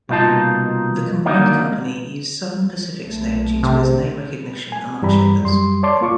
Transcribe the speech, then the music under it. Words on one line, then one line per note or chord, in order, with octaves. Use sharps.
The combined company used Southern Pacific's name due to its name recognition among shippers.
C2 B2 A#3 D#4 F4 A5
D3 D#3 F#3 A#3 D#4
B1 A3
C3
G#5
G2 E3 G3 A#5 B5
F#2 G3 C6
C#5 D5 A5 C6 D6
A#3 F4 C#6 D6